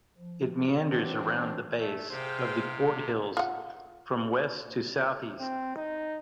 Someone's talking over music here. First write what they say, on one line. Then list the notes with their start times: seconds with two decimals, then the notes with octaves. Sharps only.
It meanders around the base of the Port Hills from west to south-east.
0.18 F3
0.89 E3 F#3 C4 D4
1.80 A3
2.10 C3 G#4 C5 F5 G5
3.37 F4 F#5
5.40 C4
5.76 D#4